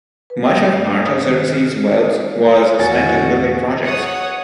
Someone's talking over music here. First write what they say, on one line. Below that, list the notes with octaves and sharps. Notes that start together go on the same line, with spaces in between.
Much of Artaxerxes' wealth was spent on building projects.
B4
G5
A3
G2
D4
D#6
D#3
F#6
F6
E2 A2 F#4 F5 G#5 A6
C#5 F#5 D#6